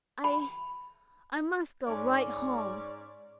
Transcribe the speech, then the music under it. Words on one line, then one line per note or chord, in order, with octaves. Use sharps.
"I--I--must go right home."
B5
G#2 C#4 D5